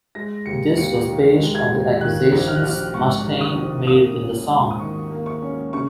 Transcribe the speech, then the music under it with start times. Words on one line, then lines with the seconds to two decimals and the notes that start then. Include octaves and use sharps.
This was based on the accusations Mustaine made in the song.
0.15 G#3 A#6
0.46 D#2 C#7
0.77 D#2 C#7
1.08 D#3
1.39 G#3
1.55 G#6
1.70 D#2
2.01 D#3 F#6
2.32 A#1
2.47 F6
2.56 F#6
2.63 A#1 F6
2.94 G#2 C#6
3.25 D#3
3.41 D#6
3.56 A#1
3.87 A#3 D#6
4.18 C#4
4.49 G#2
4.71 D#6
4.80 D#3 C#6
5.11 A#3
5.26 C#6
5.42 C#4
5.73 C#3 C#6